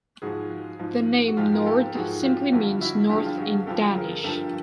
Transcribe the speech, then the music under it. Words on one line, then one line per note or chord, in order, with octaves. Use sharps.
The name "Nord" simply means "north" in Danish.
G#2 F3 F#4 G#4
G#2 F3
F#4
G#2 F3 F4 G4
A#4
G4 A4
G#2 F3 F#4 G#4
F4 G4
G2 D3 F3 E4 F#4
E4 F#4
G2 D3 F3 G4
G#4
F4 G4
F#4 G#4
G2 D3 F3 G4 A4
G#4 A#4
G2 D3 F3 G4 A4